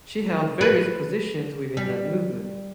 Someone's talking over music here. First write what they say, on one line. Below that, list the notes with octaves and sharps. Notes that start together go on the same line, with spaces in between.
She held various positions within that movement.
B4
G3